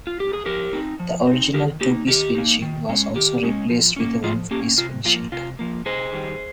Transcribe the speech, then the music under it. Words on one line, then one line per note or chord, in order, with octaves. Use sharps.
The original two-piece windshield was also replaced with a one-piece windshield.
F4
G4
G#4
F3 G4 A#4
C4 D#4
F3
C4 D#4
D#3 G4 A#4
A#3 D#4 G4
D#3 G4
A#3 D#4
D#3
G#3 C#4
D#3 G4
G#3 C#4
F3
A#3 C#4
F3 F4 G#4
A#3 C#4 G4
C3 F4
F3 A#3 F4
C3 F4
F3 A#3
C3 G#4 C5
D#3 G3